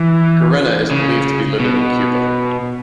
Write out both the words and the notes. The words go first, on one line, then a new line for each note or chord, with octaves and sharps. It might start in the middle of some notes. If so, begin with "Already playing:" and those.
Gerena is believed to be living in Cuba.
Already playing: E3
C#3
B2